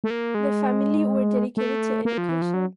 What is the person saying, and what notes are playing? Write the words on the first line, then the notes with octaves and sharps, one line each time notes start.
The family were dedicated to education.
A3
A#3
G#3
A3
A#3
F3
E3
F3
F#3